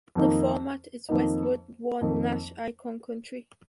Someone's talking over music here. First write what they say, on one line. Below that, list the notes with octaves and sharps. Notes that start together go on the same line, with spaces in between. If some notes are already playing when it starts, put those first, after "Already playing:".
The format is Westwood One "Nash Icon" country.
F2 D#3 A#3 D#4
F2 D#3 A#3 D#4
F2 D#3 A#3 D#4